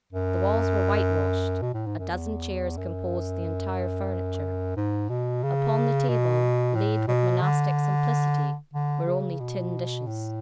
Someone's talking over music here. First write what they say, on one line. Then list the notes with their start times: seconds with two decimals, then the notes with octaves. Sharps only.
The walls were whitewashed; a dozen chairs composed the entire furniture; upon the table, laid with monastic simplicity, were only tin dishes.
0.13 F#2
1.62 B2
1.74 A2
1.86 G#2
1.99 F#2
2.12 E2
2.78 F#2
4.77 G#2
5.09 B2
5.43 C#3
6.09 B2
6.75 A2
7.08 B2
7.42 D3
8.74 D3
9.07 C#3
9.40 B2
10.07 A2